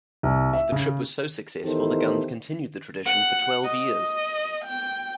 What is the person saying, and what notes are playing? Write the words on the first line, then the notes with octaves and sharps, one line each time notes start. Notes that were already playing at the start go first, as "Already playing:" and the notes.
The trip was so successful, the Gunns continued the tradition for twelve years.
C2
E5
C#3
E2 D#3 E3 G4 A4 C5
F#5
D#5
G5